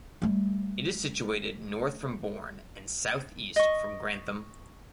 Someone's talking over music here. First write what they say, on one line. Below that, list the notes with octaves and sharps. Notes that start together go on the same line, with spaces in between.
It is situated north from Bourne, and south-east from Grantham.
G3 A3
D#5 C#6